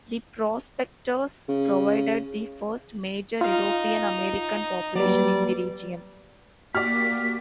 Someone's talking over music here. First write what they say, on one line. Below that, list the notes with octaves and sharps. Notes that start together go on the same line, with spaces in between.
The prospectors provided the first major European-American population in the region.
C#3
D#4 F4 F5
F#3 G3 A#3 B4 D5
A#3 F#4 G4 D5 F6 B6